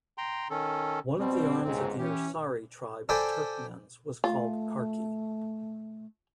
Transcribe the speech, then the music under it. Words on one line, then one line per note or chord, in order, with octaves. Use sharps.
One of the arms of the "Ersari" tribe of Turkmens was called "Karki".
G5 A#5 C6
D#3 C#4 A4
B2 G3 C4
G1 C#2 G#2 C4
E3 C#4 G4
A4 C5 D5 G5 G#5 B5
A3 F4